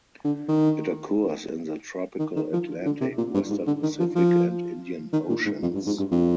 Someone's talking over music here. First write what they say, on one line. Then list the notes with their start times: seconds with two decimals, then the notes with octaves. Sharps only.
It occurs in the tropical Atlantic, western Pacific and Indian Oceans.
0.24 D3
0.48 D#3
2.19 D#3
2.36 D#3
2.53 F3
2.86 D3
3.01 C3
3.18 A#2
3.34 G2
3.50 G#2
3.67 D3
3.83 D#3
4.00 F3
4.15 F3
5.13 D#3
5.29 A#2
5.45 G#2
5.62 F2
5.74 G2
5.87 G#2
5.99 G2
6.11 F2